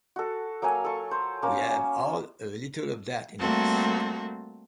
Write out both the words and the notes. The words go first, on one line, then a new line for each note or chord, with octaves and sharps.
We all have a little of that in us.
F#4 A4
F#3 A#3 F5 G#5
A4 C#6
C5
A#3 C#4
C#4
G3 A3 A#3 C4 F#4 A4